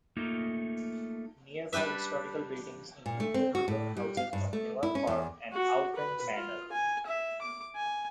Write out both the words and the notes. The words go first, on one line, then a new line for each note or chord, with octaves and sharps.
Nearby historical buildings include the Tudor houses of Newark Park and Owlpen Manor.
A3 A#3 D#4 F4
G3 D4 G4 B4 E5
A#2
A3
C4
F#4
A2
G3
F5
G2
A3
E4
C#4
E2
F#4
B4
F4
G#5
E5
D6
G#5